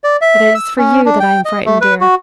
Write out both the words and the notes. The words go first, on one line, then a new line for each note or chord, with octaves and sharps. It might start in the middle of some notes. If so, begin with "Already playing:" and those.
But it is for you that I am frightened, dear.
D5
E5
E6
C#4
D4
G5
D#5
A3
B4
F#4